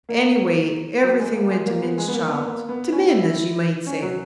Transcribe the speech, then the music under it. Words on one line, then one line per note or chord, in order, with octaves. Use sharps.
Anyway, everything went to Min's child--to Min as ye might say.
A#3
F#3
G#3
A#3
G#3
A#3
B3
G#3
B3
A#3
B3
A#3
B3
C#4
E4
E4
C#4
F#3